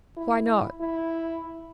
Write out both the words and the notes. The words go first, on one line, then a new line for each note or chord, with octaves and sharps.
"Why not?"
E4
E4